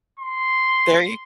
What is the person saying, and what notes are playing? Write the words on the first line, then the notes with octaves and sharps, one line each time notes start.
There you
C6